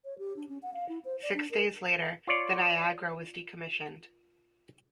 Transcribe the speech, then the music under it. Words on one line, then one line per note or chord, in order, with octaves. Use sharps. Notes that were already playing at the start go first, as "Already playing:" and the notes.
Six days later, the "Niagara" was decommissioned.
C#5
G4
D4
C#4
F#5
F5
E4
C5
D5
D4
A#4
F4 C#5 D5